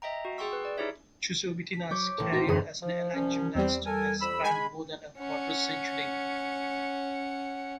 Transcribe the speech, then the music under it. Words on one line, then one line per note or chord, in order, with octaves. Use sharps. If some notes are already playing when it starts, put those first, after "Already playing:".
Chusovitina's career as an elite gymnast has spanned more than a quarter century.
D#5 E5 G5 A#5
F#4
G#4 G5 C6 C#6 E6
B4
D5
D#4 E4 G4 G#4 C#5 E5
B6
F#3 C#5 D6 G6
A1 A#2 A4
C4 D#4 E4 F#4 A#6
E1 A1 F#2 D3 G#4 D#6
F3
C2 F3 C#4
E2 G3 C4
A4 A#4 G#5
F2 B5 E6
G#3 G#5 B5
C#4 F#5